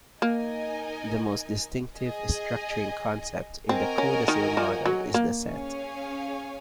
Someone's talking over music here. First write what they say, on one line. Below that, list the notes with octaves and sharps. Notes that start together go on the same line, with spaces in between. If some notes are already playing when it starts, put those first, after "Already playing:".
The most distinctive structuring concept in the Codasyl model is the set.
A#3 D#4 A#4 D#5 G#5
G#4 D#5 G#5
C4 F#4 A#4 D#5 G#5
C#4
D#3
F3
F#3
A#3
C#4 G#4 C#5 F5 G#5